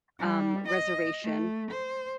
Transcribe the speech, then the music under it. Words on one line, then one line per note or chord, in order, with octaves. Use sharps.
um, reservation,
G3
D#5
A3
C5